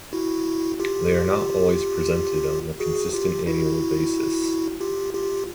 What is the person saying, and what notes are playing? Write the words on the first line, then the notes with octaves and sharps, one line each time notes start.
They are not always presented on a consistent annual basis.
E4 F#4
F4 G4
F#4 G#4
F4 G4
E4 F#4
F4 G4
F4 G4